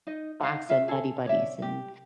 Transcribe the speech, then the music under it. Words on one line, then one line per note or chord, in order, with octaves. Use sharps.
box of Nutty Buddys and
D#4 D#5
D#4 D#5 F5 F#5
F4 E5 F5
G#4 A4
C#5 D5 E5
G4